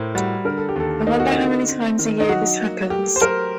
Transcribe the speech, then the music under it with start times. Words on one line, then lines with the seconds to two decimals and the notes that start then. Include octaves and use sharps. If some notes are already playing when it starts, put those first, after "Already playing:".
I wonder how many times a year this happens.
Already playing: A2 A#4 C5
0.15 G3 F#4
0.45 D3 A#4
0.58 A4
0.69 G4
0.76 D#2 A4
1.06 A#3 D#4
1.20 F#4
1.31 D#4
1.37 D3
1.68 C4
1.99 D#3
2.20 D#4
2.29 F#3 F#4
2.60 A#3
2.90 A3 G4
3.16 C5
3.21 F#3 A#4